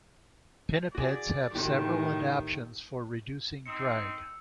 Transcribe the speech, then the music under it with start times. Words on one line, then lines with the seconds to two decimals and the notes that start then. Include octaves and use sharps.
Pinnipeds have several adaptions for reducing drag.
0.95 F#4 G#4 D5
1.55 A2 D#3 D#4 F#4 G4
3.66 C4 D#4 E6 C#7